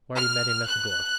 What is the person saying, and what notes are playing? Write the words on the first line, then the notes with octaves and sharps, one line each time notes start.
Marty met him at the door.
F6
F#6